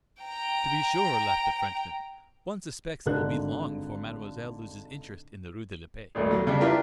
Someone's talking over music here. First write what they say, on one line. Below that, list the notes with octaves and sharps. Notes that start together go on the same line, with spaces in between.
"To be sure," laughed the Frenchman; "one suspects it will be long before mademoiselle loses interest in the rue de la Paix."
G5 A#5
G#1 G#2 D3 D4 A#4 F#6
D#1 G#1 D2
F#3
C#3 G3 D4
D4 E4 F4 G4 A#4 B4